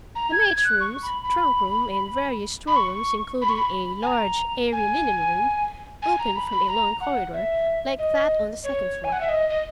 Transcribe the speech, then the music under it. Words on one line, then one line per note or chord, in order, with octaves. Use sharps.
The maids' rooms, trunk-room, and various store-rooms, including a large airy linen-room, opened from a long corridor, like that on the second floor.
A#5
G#6
G#6
F#6
C#6
B5
B5
B5
C#6
B5
C#6
B5
G#5
A#5
G#5
G#5
A#5
B5
B5
A#5
F#5
E5
D#5
C#5
G#5
F#5
E5
D#5
D#5